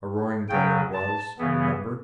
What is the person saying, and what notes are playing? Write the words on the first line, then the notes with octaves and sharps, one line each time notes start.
A roaring day it was, I remember....
C#3 F#3 C#4 G5
A5
C#3 E3 B3